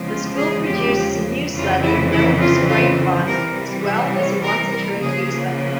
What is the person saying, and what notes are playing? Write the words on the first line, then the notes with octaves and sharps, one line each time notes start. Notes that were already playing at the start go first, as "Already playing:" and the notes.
The school produces a newsletter known as 'Grapevine' as well as a once-a-term newsletter.
Already playing: E2 C#3 F3 G#3 C4
F4
G#4
G4
F2 C#3 E3 F4
E4
E4
F4
F4
C3 E3 G3 A#4
E5
C#5
A#4
A#4
C#3 F3 A#3 G#4